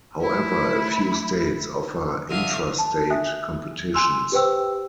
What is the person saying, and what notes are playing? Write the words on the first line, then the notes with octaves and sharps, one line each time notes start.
However, a few states offer intrastate competitions.
A3 E4
D3 E5 F5 D#6
A5
E5 G#5 D#6 F#6
G#5 C6 E6
G4 B4 C5 G5 E6